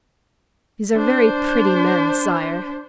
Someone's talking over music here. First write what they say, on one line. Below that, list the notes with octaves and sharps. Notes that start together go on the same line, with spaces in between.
These are very pretty men, Sire.
D4 C5